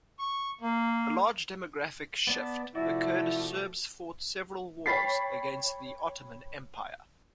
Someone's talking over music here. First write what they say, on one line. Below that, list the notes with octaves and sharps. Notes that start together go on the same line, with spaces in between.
A large demographic shift occurred as Serbs fought several wars against the Ottoman Empire.
C#6
A#3
B3 D5 A5
C3 F3 A3 E4 F#4 D5
C#5 G5 B5 A6 B6 C7